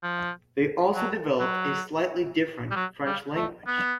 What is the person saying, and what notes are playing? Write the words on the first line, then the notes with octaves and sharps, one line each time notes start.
They also developed a slightly different French language.
F3
F#3
F#3
G3
F#3
G3
A3
B3